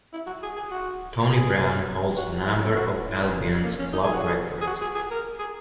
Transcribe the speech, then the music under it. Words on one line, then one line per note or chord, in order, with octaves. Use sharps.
Tony Brown holds a number of Albion's club records.
E4
F#4
G#4
G#4
F#4
G#4
F#4
E4
C#4
F#4
E4
D#4
C#4
A#3
C#4
D#4
G#4
F#4
G#4
G#4
F#4
G#4
G#4
A#4
G#4